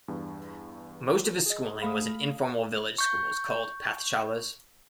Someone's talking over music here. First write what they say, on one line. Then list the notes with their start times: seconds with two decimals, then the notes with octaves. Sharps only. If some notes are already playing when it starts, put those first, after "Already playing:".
Most of his schooling was in informal village schools called pathshalas.
0.08 E2 G2
1.46 G#4 D#5
1.82 A3 F5 B5 D#6
2.98 C#6 G6